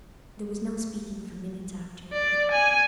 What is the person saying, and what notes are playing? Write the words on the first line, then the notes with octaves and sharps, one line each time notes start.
There was no speaking for minutes after.
D5
G#5